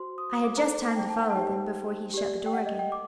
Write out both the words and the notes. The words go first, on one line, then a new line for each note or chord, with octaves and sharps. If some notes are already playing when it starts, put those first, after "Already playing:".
I had just time to follow them, before he shut the door again.
Already playing: F#4 C5 C6
D#6
D#6
D6
D#4 A4 C5 A#5
A5
G5
A5
F#5
A5
D#4 G4 C5 G5
G4 D5
G5
F#5
D#5
G5
D6